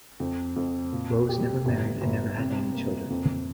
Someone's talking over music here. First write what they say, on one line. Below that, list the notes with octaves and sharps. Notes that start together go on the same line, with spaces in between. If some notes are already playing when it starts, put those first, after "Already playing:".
Rose never married and never had any children.
F2
F2
A#2
G4
G1
G1
C3
A#3
F2